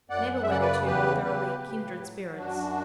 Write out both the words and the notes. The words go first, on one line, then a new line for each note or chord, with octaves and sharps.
Never were there two more thoroughly "kindred spirits."
F#2 D5 F#5
F#5
E5
C#3 D5 F#5
B4 D5
E2 G4 B4
C#3 G4 B4
A2
F#3
F#2 D4 F#4